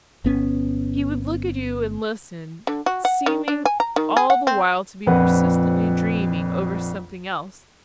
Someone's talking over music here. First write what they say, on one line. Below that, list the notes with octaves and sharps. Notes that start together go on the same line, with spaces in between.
He would look at you and listen, seeming all the while to be persistently dreaming over something else.
G1 B3 C#4
D3
F#4
F#5
D#3
D4
G#5
A#5
D#3
G#4
F#5
C4
A#1 F2 B4 F#5